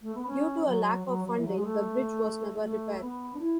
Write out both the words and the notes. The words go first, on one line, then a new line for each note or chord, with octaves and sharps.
Due to a lack of funding, the bridge was never repaired.
A3
B3
C#4
F#3
F#3
F#3
E3
F#3
G#3
A3
A3
B3
D4
E4